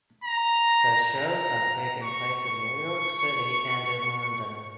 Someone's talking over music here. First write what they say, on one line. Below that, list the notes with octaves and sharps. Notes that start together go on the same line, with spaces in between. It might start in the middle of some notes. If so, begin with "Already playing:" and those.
The shows have taken place in New York City and in London.
A#5
A#5
C#6
C#6